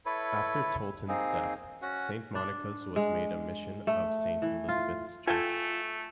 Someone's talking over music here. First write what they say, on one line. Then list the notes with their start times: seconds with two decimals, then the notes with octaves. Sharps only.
After Tolton's death, Saint Monica's was made a mission of Saint Elizabeth's Church.
0.06 E4 A4 B4 C#5
1.08 A#3 C4 D#4 G#4
1.82 C#4 F#4 F#5
2.35 D4
2.96 G#3
3.87 A3
4.42 E3
4.69 F4
5.27 A3 F4 A4 G5 G#5